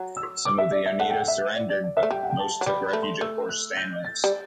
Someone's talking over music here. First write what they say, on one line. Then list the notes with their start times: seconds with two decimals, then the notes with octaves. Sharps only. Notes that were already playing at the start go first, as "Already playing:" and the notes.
Some of the Oneida surrendered, but most took refuge at Fort Stanwix.
Already playing: F#3
0.17 E6
0.45 D6
0.58 E5
0.72 D5
0.86 E5
1.00 A3 F#5
1.10 G5
1.20 F#5
1.28 E5
1.55 D5
1.69 D5
1.84 D5
1.97 E5
2.03 A3
2.11 G3 G5
2.23 F#5
2.30 G5
2.39 A5
2.61 F#3
2.66 G3 B5
2.85 B5
2.93 A3
3.02 C6
3.21 A3 E6
3.49 F#6
3.77 G6
4.05 A6
4.24 G3